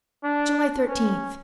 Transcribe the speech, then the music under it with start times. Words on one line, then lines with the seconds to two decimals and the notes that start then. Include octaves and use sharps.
July Thirteenth.
0.24 D4
0.88 C#4